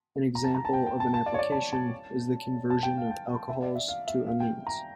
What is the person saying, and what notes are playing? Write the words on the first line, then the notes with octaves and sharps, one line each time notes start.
An example of an application is the conversion of alcohols to amines.
A#5
A5
A#5
A5
G5
G5
A5
A5
D5
C#5
D5
A5
A5
A5
G5
F5
G5
E5
D5
E5
F5
E5
F5
G5
A#5